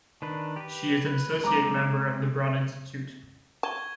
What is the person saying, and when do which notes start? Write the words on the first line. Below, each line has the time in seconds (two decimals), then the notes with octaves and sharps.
She is an associate member of the Broad Institute.
0.22 D#3 D4 B4
0.56 G4 B4
1.06 B4
1.44 G#3 C4 A#5 D6
3.63 A5 C#6 G#6 G7